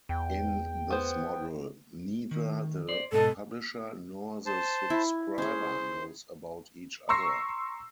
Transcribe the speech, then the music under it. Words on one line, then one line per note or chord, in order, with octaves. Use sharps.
In this model, neither the "publisher" nor the subscriber knows about each other.
E2 G5
B3 C5
D#3
C5 D5
G#2 B2 A4 D#5
C5 A5
E4
C#4 G#4 C5
A#5 C6 C#6 E6 A#6 C7